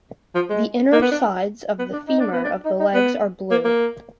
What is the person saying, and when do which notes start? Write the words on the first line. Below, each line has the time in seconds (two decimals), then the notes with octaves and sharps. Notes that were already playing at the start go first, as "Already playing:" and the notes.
The inner sides of the femur of the legs are blue.
0.35 F3
0.50 G#3
0.92 A#3
1.02 B3
1.11 D4
1.79 B3
1.93 D4
2.07 D#4
2.20 D4
2.32 B3
2.44 D4
2.65 D#4
2.80 D#4
2.94 B3
3.51 A#3
3.65 A#3